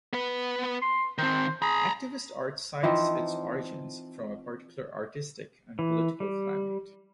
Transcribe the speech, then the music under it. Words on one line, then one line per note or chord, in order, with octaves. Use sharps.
Activist art cites its origins from a particular artistic and political climate.
B3 B4
C6
D#3 C4 C5
G#4 A#5 B5
E3 F3 C4 D#4
E3
G3